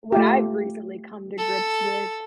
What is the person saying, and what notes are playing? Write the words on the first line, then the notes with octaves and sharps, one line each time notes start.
what I've recently come to grips with,
A3 F4 G4
A4